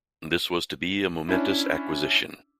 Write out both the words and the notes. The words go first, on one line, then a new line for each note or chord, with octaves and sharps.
This was to be a momentous acquisition.
C#4 D4 E4